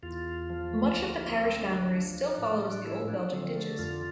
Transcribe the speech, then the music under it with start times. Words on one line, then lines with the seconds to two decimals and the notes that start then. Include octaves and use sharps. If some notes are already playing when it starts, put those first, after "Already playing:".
Much of the parish boundary still follows the old Belgic ditches.
0.03 E2 F4
0.50 F3
0.97 D2 A#3
1.28 C4
1.44 D2
1.60 D4
1.91 F3
2.38 A2
2.85 F3 E4
3.08 D4
3.32 D3 C4
3.56 A3
3.79 F2 F4